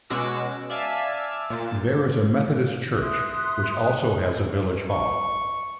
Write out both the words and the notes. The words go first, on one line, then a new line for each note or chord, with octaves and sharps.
There is a Methodist Church, which also has a village hall.
B2 G#3 C#4 F#4 D6 E6
D5 E5 F5 G#5 A5 E6
A#2 A6
E5 C6 D#6 F#6
C#6